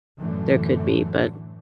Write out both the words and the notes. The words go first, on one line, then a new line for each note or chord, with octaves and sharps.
there could be, but
F#2 A2 D3 E3 A3